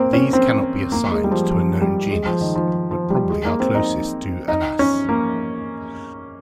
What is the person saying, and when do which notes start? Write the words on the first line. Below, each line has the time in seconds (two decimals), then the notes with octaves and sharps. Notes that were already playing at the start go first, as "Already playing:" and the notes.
These cannot be assigned to a known genus, but probably are closest to "Anas".
Already playing: A#3 C4
0.13 C#4
0.33 C4
0.92 A#3
1.12 G#3
1.24 G3
1.31 F3
1.52 F3
1.81 G3
2.11 G#3
2.26 F3
2.41 D#3
2.55 F3
2.91 F3
3.10 G3
3.30 G#3
3.45 A#3
3.60 C4
3.75 D#4
4.48 D#4
4.79 C#4
5.09 A#3